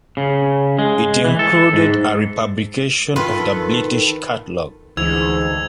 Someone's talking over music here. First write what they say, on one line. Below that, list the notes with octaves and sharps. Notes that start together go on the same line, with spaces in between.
It included a republication of the British Catalogue.
C#3
G#3
E3
A4
G#2
D#3 F4 A4 B4
D2 G#2 E3 E6 G#6 F7